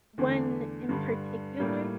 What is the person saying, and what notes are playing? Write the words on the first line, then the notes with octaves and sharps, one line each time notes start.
one in particular,
E2 D3 A3
G2 D3 G3
A2 G3 A#3